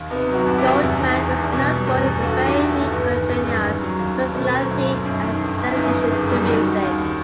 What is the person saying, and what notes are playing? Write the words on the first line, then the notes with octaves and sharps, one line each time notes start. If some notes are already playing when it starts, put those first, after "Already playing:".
Goldman was known for his very congenial personality and dedication to music.
Already playing: D#2
C3 B3 D#4
F#3
D#4 F#4
C2 F#4
E4 G4
C2
E2
D#3
E1
E1
B2
G3
E2
E2
G2 F#4 A4
D#3
E4 G4
G1
A3
G1
E2 B3
D#3
F#1
G3
D#3
F#3
D#2
D#2
B2 A3 C4
F#3
B1
B1
F#2
D#3
G1
G1
E4
F#2 B3 D#4
D#3
F#1
G3
D#3 D#4 F#4
G3
D#2